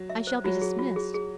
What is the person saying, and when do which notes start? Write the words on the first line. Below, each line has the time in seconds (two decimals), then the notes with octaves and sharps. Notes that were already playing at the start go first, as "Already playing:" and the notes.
I shall be dismissed.
Already playing: F#3
0.10 E5
0.27 C5
0.44 F#3 F4
0.62 G#4
0.79 F4
0.96 G#4
1.14 G#4